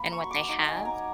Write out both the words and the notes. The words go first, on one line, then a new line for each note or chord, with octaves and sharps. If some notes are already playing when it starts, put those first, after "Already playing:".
and what they have
Already playing: A#3 B5
C#6
F#3
D6
D#4 D6
G#5
F#3
A#5